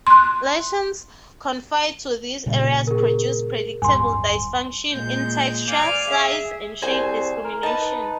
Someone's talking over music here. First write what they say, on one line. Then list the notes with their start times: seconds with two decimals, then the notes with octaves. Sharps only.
Lesions confined to these areas produce predictable dysfunction in texture, size, and shape discrimination.
0.07 C6 F#6
2.46 A#2 C#3 G3
2.87 G#4 A#4
3.82 D1 G1 G2 G#5 C6
4.91 A#2 G#3 G6
5.67 D5 F5 G#5 D6 F6
6.08 G#4 E5
6.82 C2 G#4 C5 G#5
7.44 A#4
7.63 D#4 B4 A5